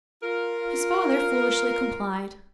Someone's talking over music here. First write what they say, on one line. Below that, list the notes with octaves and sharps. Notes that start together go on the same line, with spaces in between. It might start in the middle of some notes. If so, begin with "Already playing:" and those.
His father foolishly complied.
F4 A#4